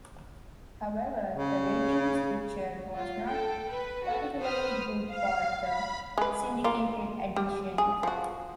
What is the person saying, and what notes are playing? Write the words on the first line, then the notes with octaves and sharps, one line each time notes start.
However, the ratings picture was not particularly good for the syndicated edition.
C#3
F4
A4 G5
B4
F#4 A4
B4 C5 D#6 F6
F5
B5
G#3 B4
A#3 F4
G3
G#4
F3 F#4